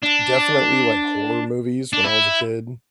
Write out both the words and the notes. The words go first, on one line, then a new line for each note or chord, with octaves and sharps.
definitely like horror movies when I was a kid,
D4
D4
E4